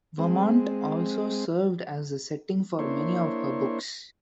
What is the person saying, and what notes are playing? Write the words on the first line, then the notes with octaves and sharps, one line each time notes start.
Vermont also served as the setting for many of her books.
G#3 C4
A#3 D4 E4 C5 C#5